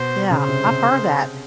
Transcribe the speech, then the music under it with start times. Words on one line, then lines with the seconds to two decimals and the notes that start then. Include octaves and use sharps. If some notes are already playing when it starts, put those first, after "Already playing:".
Yeah, I've heard that,
Already playing: B2 C5
0.31 C#3 C5
0.48 C3
0.67 C3